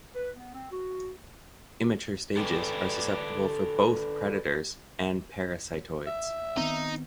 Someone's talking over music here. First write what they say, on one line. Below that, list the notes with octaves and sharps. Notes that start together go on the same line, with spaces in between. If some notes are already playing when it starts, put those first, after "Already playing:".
Immature stages are susceptible for both predators and parasitoids.
B4
B3
C4
F#4
A4 B4 D5 G5 G#5
E5
D#3 B3 C4 D#4